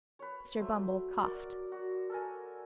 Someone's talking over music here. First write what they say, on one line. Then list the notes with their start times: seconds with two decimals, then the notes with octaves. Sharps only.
Mr. Bumble coughed.
0.19 B4 C#5
0.60 F#3 A3 C5 E5
1.22 F#4 A#4 D5
1.72 F#4
2.10 A4 A#4 G#5